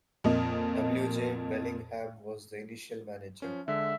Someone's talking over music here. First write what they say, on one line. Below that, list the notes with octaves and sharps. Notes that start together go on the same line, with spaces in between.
W. J. Bellingham was the initial manager.
F2 A#2 A#3 D#5
F3 C#4
D3 G#3 E5